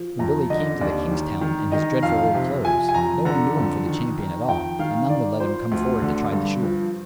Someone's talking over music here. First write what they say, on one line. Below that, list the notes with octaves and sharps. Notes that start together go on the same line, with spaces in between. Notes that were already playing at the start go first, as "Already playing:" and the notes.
When Billy came to the king's town, in his dreadful old clothes, no one knew him for the champion at all, and none would let him come forward to try the shoe.
Already playing: F3
F2 A#5
D3 D#5
D#2 D5
D#3
D#3
D#3 D#5
F2 F5
C3
F3 G#5
G#5
F2 A#5
D3 A#5
F2
D#3
D#3
F2 G5
D#3 F5
D#3 D5
F3 C5
D2
D3
G2
F3